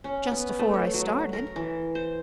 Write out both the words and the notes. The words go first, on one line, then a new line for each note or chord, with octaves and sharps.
"Just afore I started."
C#4
B3
A3
C#5
F#3
A#4
E3
C5